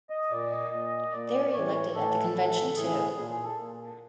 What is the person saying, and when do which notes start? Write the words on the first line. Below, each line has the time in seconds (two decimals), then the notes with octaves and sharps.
They are elected at the convention too.
0.10 D#5
0.31 A#2 D5
0.51 D#5
0.71 A#2 D#5
1.12 A#2 D5
1.53 A2 E3 C#5
1.93 A2 E3 A4
2.35 A2 E3
2.76 A2 E3 G#4
3.16 A#2 G#4
3.30 G#4
3.44 A4
3.58 A#2